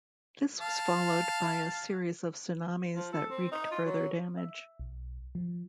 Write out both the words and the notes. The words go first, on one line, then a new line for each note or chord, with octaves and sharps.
This was followed by a series of tsunamis that wreaked further damage.
F5 A5
F3
A4
C4
D#4
F4
F#3
E5
B1
F3